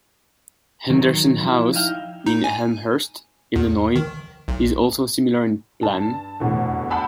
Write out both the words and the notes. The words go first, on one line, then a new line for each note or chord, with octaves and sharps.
Henderson House in Elmhurst, Illinois is also similar in plan.
D#3 F#3
F3 E4
D#4 E4 F5 G5
D#4
G#5
E2
D#3
B1
G2 A5
F1 E2 B2 D3
F#5 G5 A5 B5 E6